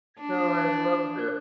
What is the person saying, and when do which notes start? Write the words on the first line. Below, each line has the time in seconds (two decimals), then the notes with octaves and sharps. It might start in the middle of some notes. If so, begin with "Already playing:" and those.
No, I've loved it.
0.20 D4